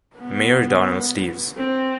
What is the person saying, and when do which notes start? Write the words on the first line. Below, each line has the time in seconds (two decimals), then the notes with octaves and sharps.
Mayor Donald Steeves.
0.18 B3
1.57 C4